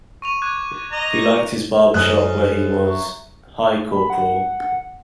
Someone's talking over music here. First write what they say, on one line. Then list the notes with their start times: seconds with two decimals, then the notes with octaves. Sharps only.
He liked his barber shop where he was "Hi, corporal!"
0.22 C#6 D#7 F7
0.42 D6 F#6 G#6
0.92 D#5 A#5
1.94 F#2 C#4 F#4 A4 C5 D#5 F#6
2.85 E5 A#5 C#6
3.91 B5
4.10 F#5